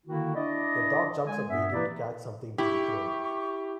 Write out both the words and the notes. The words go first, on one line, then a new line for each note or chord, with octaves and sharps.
The dog jumps up waiting to catch something being thrown.
D3 D#3 A#3 E4 F#4
D4 E4 D5 D#5
G#3 G#5
G2 B3 E5
E3 A#3 E4 G4 B4 D5
E4 G4 C#6